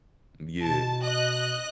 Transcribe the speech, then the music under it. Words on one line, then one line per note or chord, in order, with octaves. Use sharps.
Mm, yeah.
B2 A5
D#5 F#6